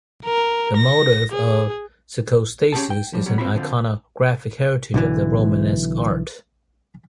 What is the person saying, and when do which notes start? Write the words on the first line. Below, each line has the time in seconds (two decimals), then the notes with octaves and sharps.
This motif of psicostasis is an iconographic heritage of the Romanesque art.
0.25 A#4
0.77 A#6
1.32 G#4
2.73 C#4 G4 G#4 A5
2.90 G5
3.13 F3 G3
3.26 C3 F#3 G3
3.38 C4 F4 F#4 B5
3.54 F2 D3 F3
4.94 B1 D3 E3